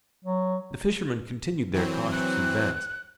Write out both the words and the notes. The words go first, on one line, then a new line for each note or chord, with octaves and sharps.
The fishermen continued their cautious advance.
F#3
E3 F#3 C4
F#6